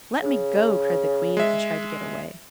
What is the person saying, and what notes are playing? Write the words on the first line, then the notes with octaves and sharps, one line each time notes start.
"Let me go!" cried the Queen, and tried to get away.
C#3
G#3 E5